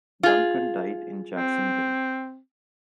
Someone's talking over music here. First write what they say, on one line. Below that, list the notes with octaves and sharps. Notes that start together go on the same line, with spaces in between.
Duncan died in Jacksonville.
F4 G#4
C4